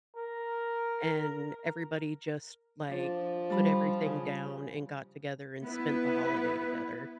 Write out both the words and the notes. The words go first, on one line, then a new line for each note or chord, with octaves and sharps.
and everybody just, like, put everything down and got together and spent the holiday together,
A#4
F3 D4
G3 B5
C#3
B3 E4 B4